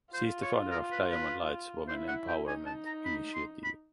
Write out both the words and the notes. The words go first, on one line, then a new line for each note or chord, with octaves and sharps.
She is the founder of Diamond Lights Women Empowerment Initiative.
F4 C5
C#5
A#4
B4
B4
E4 C5
F#5
G5
D#4 G#5
A5
A#5
B5
C6
B5